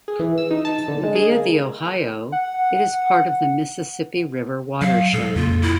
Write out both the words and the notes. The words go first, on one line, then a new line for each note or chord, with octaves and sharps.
Via the Ohio, it is part of the Mississippi River watershed.
G#4
E3
E6
D#4
A5
D3
G#3
G#4
A#3
F#5
F#3 F5
A#2 G#3 A4
F2 C#3 A#3 F4
E4